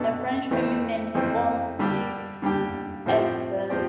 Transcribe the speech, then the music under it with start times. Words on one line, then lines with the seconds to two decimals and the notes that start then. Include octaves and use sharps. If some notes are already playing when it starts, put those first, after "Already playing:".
A French feminine form is Axelle.
Already playing: B1 B2 B3 D4 A4
0.51 F2 E3 A3 C4
1.15 F2 E3 A3 C4
1.79 D3 G3 D4 G4
2.42 D3 G3 D4 G4
3.06 A2 F3 C4 G4
3.70 F3 C4 G4